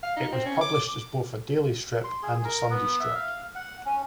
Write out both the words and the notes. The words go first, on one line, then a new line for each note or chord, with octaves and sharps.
It was published as both a daily strip and a Sunday strip.
F5
D#4
C4
C#4
D6
D6
C6
G#4
A#4
B3
E5
F5
F#5
C#4